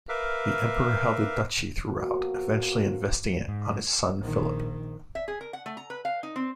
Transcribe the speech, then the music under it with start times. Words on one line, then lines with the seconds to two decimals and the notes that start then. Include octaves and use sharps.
The emperor held the duchy throughout, eventually investing it on his son Philip.
0.09 A#4 B4 E5 F5 D6
1.89 B2 F3 A#3 F#4
3.48 G#2
4.19 A#1 D#3
5.15 E5
5.28 G#4
5.41 A#4
5.53 F#5
5.66 A3
5.77 A#5
5.90 B4
6.05 F5
6.23 D#4
6.36 C4